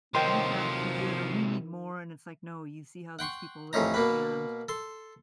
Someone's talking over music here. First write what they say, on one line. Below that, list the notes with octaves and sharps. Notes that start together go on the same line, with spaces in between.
we've got to feel good or we need more," and it's like, no, you see how these people live, and
C3 D#3 F3 F#3 C5 G5 C6
F#5 G5 C6 C#6
A1 F2 A2 C#4 D#4 A#5
B2 A#3 B4
A4 C6